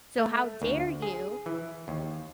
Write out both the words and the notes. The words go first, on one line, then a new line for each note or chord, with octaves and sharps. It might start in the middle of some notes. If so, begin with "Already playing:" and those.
So how dare you?"
A3
D2
G#4
E3
D#2